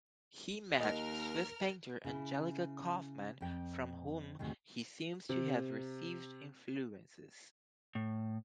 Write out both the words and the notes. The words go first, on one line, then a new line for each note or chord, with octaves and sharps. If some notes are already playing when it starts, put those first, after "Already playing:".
He met Swiss painter Angelica Kauffman, from whom he seems to have received influences.
D#2 A#4 D#5 F6
C#3 E4
F2 G5
D2 G#2 C3 D#3
C3
A2